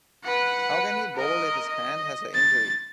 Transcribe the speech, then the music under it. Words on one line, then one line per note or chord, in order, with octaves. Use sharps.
How can he bowl if his hand has a injury?
B4 F#5
A#4 D#5
D#5
A6